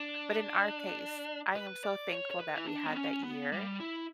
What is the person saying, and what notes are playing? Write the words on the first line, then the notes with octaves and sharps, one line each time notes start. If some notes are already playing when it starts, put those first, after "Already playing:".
But in our case, I am so thankful that we had that year
Already playing: D4
B4
D5
C#5
C#5
B4
E4
D4
B3
C#4
B3
G3
E4